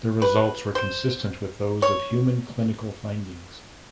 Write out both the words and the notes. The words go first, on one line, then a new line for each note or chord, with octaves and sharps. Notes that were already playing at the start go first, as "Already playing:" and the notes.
The results were consistent with those of human clinical findings.
B4
C5
C#5